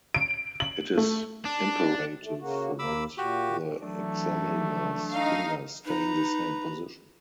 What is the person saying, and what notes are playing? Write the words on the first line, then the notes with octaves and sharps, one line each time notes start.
It is imperative that the examiner's fingers stay in the same position.
D7
F#7
A3
D4
A3
C#3 A#3 F#4
D#2 A#3 B5 D6 E6
A#2 F#4 G4
E3 F#3 A3 D4
D#4 F5
D#4 B4 A#5